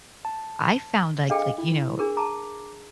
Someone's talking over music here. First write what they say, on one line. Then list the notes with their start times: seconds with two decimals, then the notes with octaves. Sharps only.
I found, like like, you know,
0.25 A5
1.30 D4 G#4 A4 D#5 F5 G5
1.58 E4
1.99 D4 G#4 A#4
2.17 A5 A#5 D6